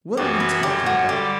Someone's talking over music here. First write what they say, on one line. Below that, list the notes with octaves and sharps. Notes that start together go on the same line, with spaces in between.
What are you talking about?
F#2 E3 B3 F#4 G4
B4
F#2 D3 F#3 G4
F#4
D3 G3 G4